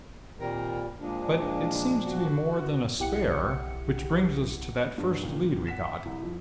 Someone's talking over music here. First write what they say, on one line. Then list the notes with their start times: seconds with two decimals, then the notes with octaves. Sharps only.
But it seems to be more than a spare--which brings us to that first lead we got.
0.39 A#2 D#3 G3 C4 A#4
1.00 A#2 F3 G#3 A#3 D4
2.04 F#4
2.99 B1 E4 G4 F#5 C#7
4.98 G2
5.23 C#2 A#2 D#3
5.67 F#5 B6 E7
6.05 C2
6.22 F2